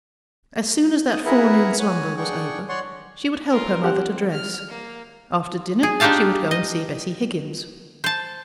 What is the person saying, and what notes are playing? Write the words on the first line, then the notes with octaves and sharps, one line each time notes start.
As soon as that forenoon slumber was over, she would help her mother to dress after dinner, she would go and see Bessy Higgins.
D#6
E4 G#4 A#4 B4 E5 F#5
C#5 F#5 G#5
D4 G#4 F#5 G5 C#6
C#5 D5 F#5 C6 C#6
F4 A#4
C4 G4 F#5
F6
A#3
G#4
D4 D#4 F4 G4 F5 A5
D#5
C5 A5